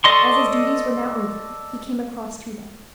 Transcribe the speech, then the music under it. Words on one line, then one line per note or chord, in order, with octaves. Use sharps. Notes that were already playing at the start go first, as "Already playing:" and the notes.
As his duties were now over, he came across to them.
A4 D5 D#5 C6 C#6